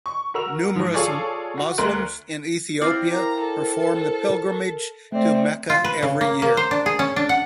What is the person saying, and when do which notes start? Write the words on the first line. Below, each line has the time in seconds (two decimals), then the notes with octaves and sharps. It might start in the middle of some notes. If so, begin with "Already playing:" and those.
Numerous Muslims in Ethiopia perform the pilgrimage to Mecca every year.
0.06 C#6
0.34 F#4 A#4 E6 F7
0.75 G#2 F3
0.94 F4 G#4 A4 C#5 D5
1.58 F#4
1.78 D2 A#4 C6 F#6 D7
2.81 C4 E4 D5 F5
3.12 A#4 A#5
3.41 A4
5.12 A3 C4 D5 E5
5.70 F4
5.84 B4
6.02 C#3
6.21 A#3
6.42 A#3
6.57 C5
6.71 D4
6.86 G#4
6.99 C#4
7.16 D4
7.29 F#5